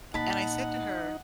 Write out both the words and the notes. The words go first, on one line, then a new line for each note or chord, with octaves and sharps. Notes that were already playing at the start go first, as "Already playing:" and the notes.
And I said to her,
A#2 D#4 F#5 A5 B5